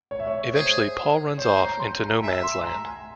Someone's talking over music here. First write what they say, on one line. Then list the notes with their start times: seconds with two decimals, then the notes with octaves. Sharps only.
Eventually, Paul runs off into no-man's land.
0.11 C#5
0.20 E5
0.27 C#5
0.53 G#4 C5
1.38 C5 C#5
1.59 A#5
1.80 C6
2.01 A#5
2.23 E5 G#5
2.43 C6
2.64 A#5
2.85 G#5